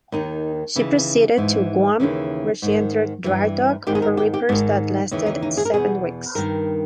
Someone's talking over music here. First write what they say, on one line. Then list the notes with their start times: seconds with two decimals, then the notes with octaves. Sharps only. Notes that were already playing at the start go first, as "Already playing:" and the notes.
She proceeded to Guam, where she entered drydock for repairs that lasted seven weeks.
0.12 D#2 D#3 D#4
0.75 D#2 C#3 E3
1.37 G#2 E3
2.00 D#2 C#3 E3
2.62 G#2 D#3
3.24 G2 E3
3.87 G#2 D#3 G4
3.95 G#4
4.02 A#4
4.17 G4
4.34 G4
4.49 G#2 G4
4.52 D#3
5.11 D#2 C#3 E3
5.26 D#4
5.42 D#4
5.57 G#4
5.65 A#4
5.73 E2 B2 G#4
6.35 G2 D#3 A#4